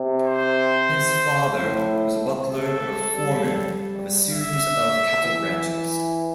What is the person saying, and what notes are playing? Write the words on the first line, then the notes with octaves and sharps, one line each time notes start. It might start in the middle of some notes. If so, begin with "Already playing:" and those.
His father was a butler or foreman of a series of cattle ranches.
Already playing: C3
C5
A2
C3 A4
G3
E5
E3